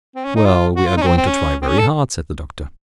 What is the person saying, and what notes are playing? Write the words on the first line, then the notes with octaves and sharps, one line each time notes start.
"Well, we are going to try very hard," said the Doctor.
C4
C#4
D#4
F4
F#4
F4
D#4
C#4
C4
C4
C#4
C4
C#4
A4